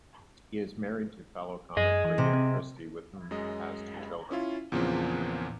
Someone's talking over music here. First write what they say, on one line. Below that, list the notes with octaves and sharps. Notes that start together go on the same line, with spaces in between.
He is married to fellow comic Bridget Christie, with whom he has two children.
F#2 G#4 D#5
E3
C3
C4
F#2 G#3 D#5
C#4 E4 F4
E2 A#2 C#3 F3 A#3 C4